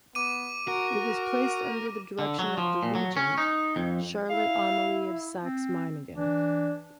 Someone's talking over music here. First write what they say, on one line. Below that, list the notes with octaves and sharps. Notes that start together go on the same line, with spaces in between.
It was placed under the direction of the Regent, Charlotte Amalie of Saxe-Meiningen.
B3 D6 D#7
F#4 A#4
D3
F#3
F3
A#2
F#3
C#4
D#4
F2
E4 F5
C4
E3 D4